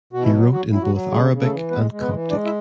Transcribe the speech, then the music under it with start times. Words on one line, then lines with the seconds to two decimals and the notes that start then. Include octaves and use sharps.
He wrote in both Arabic and Coptic.
0.13 B2 F#4
0.23 E3 E4
0.33 F#3
0.52 F#3 F#4
0.72 F#3 E4
0.82 F#3 F#4
0.92 F#3
1.12 C#3 G#3 G#4
1.32 C#3
1.42 A3 A4
1.51 E3
1.71 G#3 B3 B4
1.91 G#3
2.01 B3 B4
2.11 E3
2.30 G#3 D4 D5
2.45 E4 E5